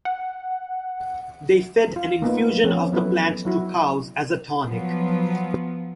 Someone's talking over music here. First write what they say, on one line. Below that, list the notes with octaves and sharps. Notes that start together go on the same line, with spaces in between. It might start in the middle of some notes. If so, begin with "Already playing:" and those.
They fed an infusion of the plant to cows as a tonic.
F#5
F4
A#3 B3 D#4 F4
F3 C4 C#4
F#3 B3 E4 A4 B4
F#3 E4 F#4
F3 F#3 B3